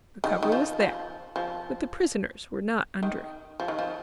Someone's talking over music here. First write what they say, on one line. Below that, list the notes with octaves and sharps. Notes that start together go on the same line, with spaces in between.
"The cover was there, but the prisoners were not under it."
D#3
D#3
F3
F3
F3
D#3
F3
D#3
F3